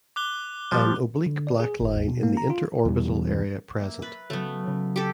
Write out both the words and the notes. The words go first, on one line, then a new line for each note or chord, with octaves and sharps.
An oblique black line in the interorbital area present.
D6 F#6 G7
F3 G3
D3
D5
G#4
G1
D#2
B2
A#3
A#5
F4
E2 B2 E3 G3
A#3 E5
B4 B5 A6
C#3 F#3 A3 B3
C#3
G4 A4